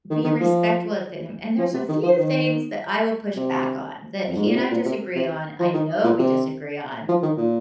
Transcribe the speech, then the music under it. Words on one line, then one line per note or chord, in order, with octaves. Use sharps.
be respectful of him, and there's a few things that I will push back on that he and I disagree on, I know we disagree on,
D#3
D#3
F3
F3
C3
D#3
F3
D#3
C3
F2
G#2
A#2
C3
A#2
C3
C3
F3
D#3
A#2
C3
F3
D#3
A#2